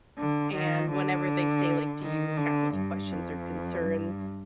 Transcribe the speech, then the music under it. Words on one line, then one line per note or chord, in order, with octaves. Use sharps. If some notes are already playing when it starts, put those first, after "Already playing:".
and whenever they say, like, "Do you have any questions or concerns?"
D3
D#3
D3
D#3
D3
G2
F2
G2